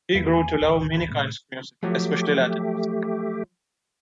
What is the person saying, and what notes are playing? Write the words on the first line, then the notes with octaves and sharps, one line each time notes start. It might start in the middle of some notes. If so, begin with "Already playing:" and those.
He grew to love many kinds of music, especially Latin music.
E2 A3 A#3 E4 B4 E5
G#5
D#1 A1 D2
B5
A2 C3 A3
F3 F#3 A3 G4